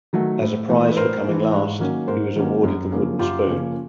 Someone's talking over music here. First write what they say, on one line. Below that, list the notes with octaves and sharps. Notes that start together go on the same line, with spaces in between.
As a prize for coming last, he was awarded the wooden spoon.
D#3 F#3 A3
A2
E3 A3
B4
A2 A#4 C5
E3 A3
G#2
D#3 F#3 A#3 C#4
G#2 A#4 C5
D#3 F#3 A#3 C#4
F#2
C#3 F3 A#3 C#4
F#2 F4 G4
C#3 F3 A#3 C#4